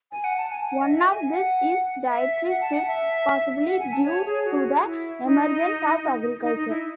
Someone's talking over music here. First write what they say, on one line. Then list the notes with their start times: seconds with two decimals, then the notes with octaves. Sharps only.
One of these is dietary shifts, possibly due to the emergence of agriculture.
0.12 G#5
0.24 F#5
0.38 A5
0.51 G#5
0.61 G#5
0.71 F#5
0.81 D#5
0.90 E5
1.03 G#5
1.16 G#5
1.30 F#5
2.08 E5
2.48 F#5
2.61 A5
2.74 F#5
2.87 E5
3.67 F#5
3.80 G#5
3.92 A5
4.05 C#5
4.26 G#4
4.45 F#4
4.84 E4
5.24 D#4
6.42 D#4
6.55 D#4
6.69 E4